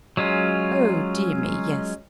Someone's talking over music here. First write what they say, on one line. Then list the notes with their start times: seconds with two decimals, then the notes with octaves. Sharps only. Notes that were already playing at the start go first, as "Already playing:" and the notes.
Oh dear me yes.
0.17 F#3 G#3 C#4 F4